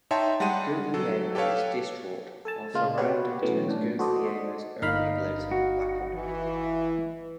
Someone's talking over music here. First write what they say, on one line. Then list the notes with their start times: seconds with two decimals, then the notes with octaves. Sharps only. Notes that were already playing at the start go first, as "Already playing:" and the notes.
Guglielmo is distraught while Ferrando turns Guglielmo's earlier gloating back on him.
0.11 D#4 C#5 E5 G5 A5 C6
0.40 G3 G#3 F#5 G5 C6 D#7
0.94 F#3 A4
1.35 G4 A4 B4 C#5 F5
2.45 A4 G#5 A5
2.74 A#2 C#3 G#3 F4
2.98 F#4 G4 B4 C#5
3.42 B2 E3 F#3 A3 B3 C#4
3.68 A2 D4
3.99 F#4 A4 C5 D5 D#5
4.82 G1 D#4 F5 B5
5.51 F#4
6.15 E3